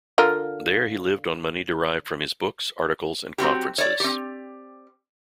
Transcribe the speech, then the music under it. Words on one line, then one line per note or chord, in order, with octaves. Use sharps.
There he lived on money derived from his books, articles and conferences.
D3 F4 A#4
F#3 C4 F#4 G4
C#5 D5
C4 G4